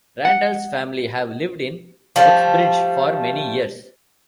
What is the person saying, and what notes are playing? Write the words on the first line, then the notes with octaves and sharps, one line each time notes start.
Randall's family have lived in Uxbridge for many years.
F#5
F3 G3 A3